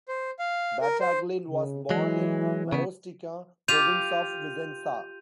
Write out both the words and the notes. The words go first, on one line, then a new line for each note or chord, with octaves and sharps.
Battaglin was born in Marostica, province of Vicenza.
C5
F5
A#4
C5
C#3
E3 F#3 G#3
C#3 B3
F4 G4 G6 D#7 F7